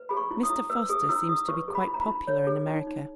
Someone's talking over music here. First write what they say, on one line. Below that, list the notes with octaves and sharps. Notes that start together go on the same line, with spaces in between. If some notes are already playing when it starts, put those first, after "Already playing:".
Mr. Foster seems to be quite popular in America.
Already playing: B4
G#4 B5
C#6
E4
D#6
E4
B4 E6
G#4 D#6
D#6
E4 E6
E4 D#6
B4 C#6
G#4
B5
E4
A#5
B5
E4
C#5
G#4
D#4
D#4